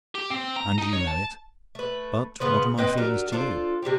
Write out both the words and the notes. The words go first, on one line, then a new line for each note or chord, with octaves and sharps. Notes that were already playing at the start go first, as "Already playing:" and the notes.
And you know it; but what are my feelings to you?
G4
C4
A#5
D#4
C#5
A5
A3 B4
C#3 B3 B4 C5
C4 B4 D#5 G5
F#3 D4 G4 A#4
D4 F4 A4 C5
C3 G3 C4 G4